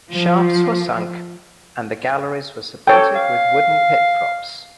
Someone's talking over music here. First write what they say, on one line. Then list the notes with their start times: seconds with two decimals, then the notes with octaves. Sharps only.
Shafts were sunk, and the galleries were supported with wooden pit-props.
0.10 F3
2.87 A4 C#5 G5
3.16 F5